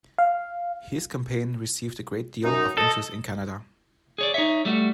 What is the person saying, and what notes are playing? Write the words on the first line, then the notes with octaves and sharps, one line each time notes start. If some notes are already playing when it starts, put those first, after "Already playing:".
His campaign received a great deal of interest in Canada.
F5
F#2 D#4
A4 D#5
G#4 C#5 D5
D#4 C#5 E5
G3 A3 F#4